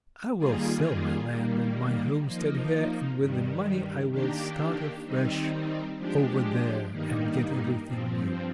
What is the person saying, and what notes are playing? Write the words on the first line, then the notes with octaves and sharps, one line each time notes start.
I will sell my land and my homestead here, and with the money I will start afresh over there and get everything new.
D#3 G3 A#3 F4 G#4
D#3 G3 A#3
F3 A#3 D#4
G2 D#3 G3
D#3 A#3 D4 G4
D#3 G3 C4 D#4
F3 G#3 D4 G4
G2 D#3 G3 A#3 D#4
G2 F3 C4